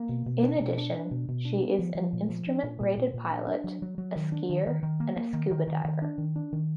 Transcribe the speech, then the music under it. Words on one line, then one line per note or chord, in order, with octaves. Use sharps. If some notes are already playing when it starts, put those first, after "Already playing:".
In addition, she is an instrument-rated pilot, a skier, and a scuba diver.
Already playing: A#3
B2
B2
D4
B2
D4
D4
B2
B2
D4
B3
F3
F3
A#2
F3
D4
A#2
A#2
A#2
A#2
D4
D4
F#3
F#3
F#3
D#3
D4
D#3
D#3
D#3
A#3
A#3
D#3
D#3
D#3
D#3
D4
D#3
D4
D#3